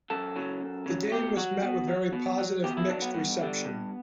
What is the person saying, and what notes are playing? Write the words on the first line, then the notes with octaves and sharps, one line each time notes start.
The game was met with very positive to mixed reception.
F#2 A4
C#3 F#3
F#2
C#3 F#3
B2 G4
F#3 F#4
B2
F#3
B2
F#3
B2 G4
E4
F#3 D4
B3
G2 B3
D3 G3
G2